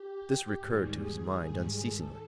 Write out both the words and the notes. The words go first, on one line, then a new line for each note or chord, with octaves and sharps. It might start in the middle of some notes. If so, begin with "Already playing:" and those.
This recurred to his mind unceasingly.
Already playing: G4
G#2 D#3 G3 G#4
G#4
G#2 D#3 G3 G#4
A4